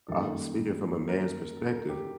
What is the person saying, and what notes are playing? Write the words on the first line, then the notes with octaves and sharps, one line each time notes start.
I'm speaking from a man's perspective.
F#2 D#3 G3 A#3 A4
A#4
A4
A#4
G4